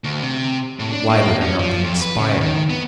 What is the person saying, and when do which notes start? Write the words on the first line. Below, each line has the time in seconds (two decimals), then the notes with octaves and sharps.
Why did I not then expire!
0.04 D2
0.23 C3
0.79 A2
0.93 D4
1.10 A#3
1.41 C#4
1.60 F3
1.84 F2
2.02 B4
2.19 C#3
2.41 D#3
2.70 B3